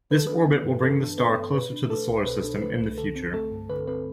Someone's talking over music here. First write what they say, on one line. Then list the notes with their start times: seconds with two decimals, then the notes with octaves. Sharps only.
This orbit will bring the star closer to the Solar System in the future.
0.11 E3 B4
0.19 A4
0.27 D4 B4
0.47 B3
0.64 G2
0.83 E3 A4
1.00 D4
1.18 B3 B4
1.37 G2
1.54 B2 B4
1.72 D4
1.90 A3 A4
2.08 C2
2.18 C5
2.26 B2 B4
2.44 D4
2.62 A3 B4
2.80 C2
2.98 D3 A4
3.16 C4
3.34 A3 A4
3.52 G2
3.70 D3 B4
3.87 C4 B4